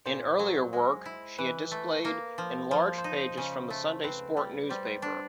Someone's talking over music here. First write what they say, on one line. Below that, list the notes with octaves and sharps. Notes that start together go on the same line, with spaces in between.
In earlier work, she had displayed enlarged pages from the "Sunday Sport" newspaper.
A#2 C5
F#3
G#3
E4
E3 B4
A3
A#3
F3
F3 C5
C5
D#4
C#3
A3
C4 B4
G3
G3 C5
D4